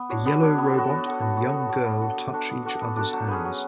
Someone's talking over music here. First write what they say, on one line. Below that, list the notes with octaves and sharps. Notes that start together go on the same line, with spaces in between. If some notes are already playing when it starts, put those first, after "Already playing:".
A yellow robot and young girl touch each other 's hands.
Already playing: B3
D4 F#4 C#5
B3
D4 F#4 C#5
B3
F#4 A4
B3
F#4 A4
B3
F#4 A4
B3
F#4 A4
B3
D4 F#4 A4
B3
D4 F#4 A4
B3
D4 F#4 A4
B3
D4 F#4 A4
F#3
C#4 G#4 B4
F#3